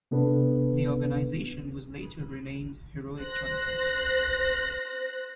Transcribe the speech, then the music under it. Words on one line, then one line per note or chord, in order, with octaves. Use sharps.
The organization was later renamed Heroic Choices.
C3 B3 D4 A4 B4
C5 F#6 A#6